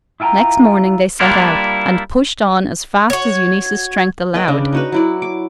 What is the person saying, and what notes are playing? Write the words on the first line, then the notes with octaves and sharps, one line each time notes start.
Next morning, they set out and pushed on as fast as Eunice's strength allowed.
E4 F4 G5 G#5 A#5
G3 A#3 D4 E4 F4
F#4 C#5 G#6
B4 D#5 G5
C#3 D4
D#4 F#4 B4
F#3 E4 D5
D6